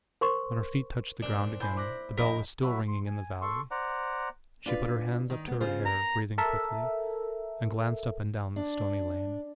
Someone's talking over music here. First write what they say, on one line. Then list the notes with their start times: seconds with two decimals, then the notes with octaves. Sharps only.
When her feet touched the ground again, the bell was still ringing in the valley; she put her hands up to her hair, breathing quickly, and glanced up and down the stony lane.
0.21 A#4 C5 C6 C#6
1.22 A#2 C4 D4
1.61 E4 C5 D5 G#5 B5 G6
1.77 B5 D6 F#6 A#6
2.18 F1 A2 A#4 D#5 B5 B6
2.63 F#3 F#4 E5 B5
2.88 C6
3.07 G#5
3.41 A4 C6 C#6
3.71 C5 D5 F#5 A#5
4.66 D4 F4 B4
5.30 D#3 D#4
5.47 B3 C4
5.60 C#3 F4 C5
5.86 A#4 A#5
6.38 A4 A#4 E5
8.56 D4